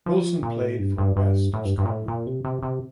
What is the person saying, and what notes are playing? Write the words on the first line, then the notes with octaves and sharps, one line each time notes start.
Wilson played for West of Scotland.
F3
A#2
A2
G2
G2
G2
A2
G2
G2
A#2
A2
A#2
C3
C3
C3